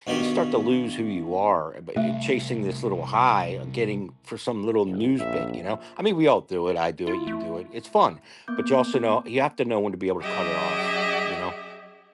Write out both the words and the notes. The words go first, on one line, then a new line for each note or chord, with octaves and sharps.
you start to lose who you are, and, b eh eh chasing this little high, on getting for some little news bit, you know? I mean, we all do it, I do it, you do it, it's fun. But you also know you have to know when to be able to cut it off, you know?
G2 B2 D#3 G4
C2 A3 E5
F#1
A#1 E5
E4 F4
A3
A#3 B3 D6 G6
F#3 C#4 G4 G#4 D#5 E5